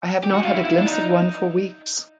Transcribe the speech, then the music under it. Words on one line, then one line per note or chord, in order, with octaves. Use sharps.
I have not had a glimpse of one for weeks.
G4
F#4
F4
E4
E4
D4
D#4